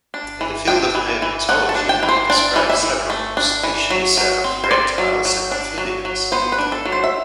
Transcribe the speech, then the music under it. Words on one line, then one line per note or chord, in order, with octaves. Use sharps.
In the field of herpetology he described several new species of reptiles and amphibians.
D4
E3
D4 G5
E3
E3
A3 F#5
A5
D4
G5
E3
C5
D4 D5
E3
E5
E3
A3
D4
E3
F#3
F#3
C4
C5
C4 D5
F#3
F#3
D4
F#3
F#3
B3 C5
B4
D4
A4
F#3
C5
E5